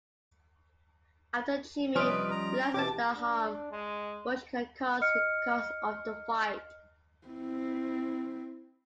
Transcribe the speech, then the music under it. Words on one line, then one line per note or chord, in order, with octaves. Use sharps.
After Jimmy realises the harm Bush has caused, he calls off the fight.
C3 F3 G3 C#4 B4 D#5 F6 D7
A#5
B2 E3 G4 A5 D6
D4
G#3
D#5 F6 C#7
C4 E4